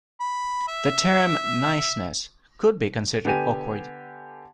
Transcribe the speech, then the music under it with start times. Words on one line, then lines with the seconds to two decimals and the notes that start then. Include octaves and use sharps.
The term "niceness" could be considered awkward.
0.20 B5
0.68 E5
3.25 D3 B3 G4 G#5 D#7